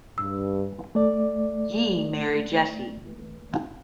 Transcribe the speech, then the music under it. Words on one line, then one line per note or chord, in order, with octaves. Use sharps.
He married Jessie.
G2 E6
A3 D5